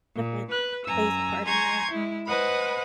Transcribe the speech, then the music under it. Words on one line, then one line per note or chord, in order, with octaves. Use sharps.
different plays a part in that.
A#2
B4 F#6
F#2 G#5 A#5 E6
G#5 A#5 C6 C#6 G6 G#6
G#3 E4
B4 C5 D#5 F#5 G#5 B5